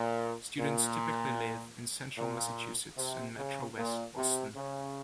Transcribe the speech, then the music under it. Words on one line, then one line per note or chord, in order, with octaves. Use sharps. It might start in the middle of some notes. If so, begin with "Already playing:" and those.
Students typically live in Central Massachusetts and MetroWest Boston.
Already playing: A#2
A#2
A#2
C3
C#3
A#2
C3
C#3